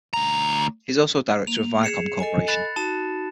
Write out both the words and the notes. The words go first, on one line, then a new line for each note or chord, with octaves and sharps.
He is also a director at Viacom Corporation.
D2 A#5
A#3 F7
G#4 C7 C#7 E7
A4 D#5 G#5
B5 F#6 A6
D#4 F#4 A5 E7